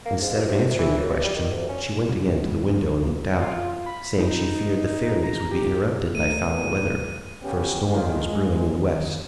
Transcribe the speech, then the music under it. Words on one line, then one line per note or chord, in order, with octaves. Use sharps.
Instead of answering the question, she went again to the window and looked out, saying she feared the fairies would be interrupted by foul weather, for a storm was brewing in the west.
A#3
G#2
B2
C3
D2
E3
F#2
G2
G3
D#3
D2
C#4
A#1 F2 C#3 G3
D2 G2 D3
A1 C#3 G#3
F#1 F#2 F3
F2 D3 F3 F#3
G#2 C#3 F#3 A#3
F4
B5
D#4
A#5
G4
A3 A#4 D#7
C#3 B3 C#4 G4
D3 D#3 G#3 A#3 F4
G#3
D#3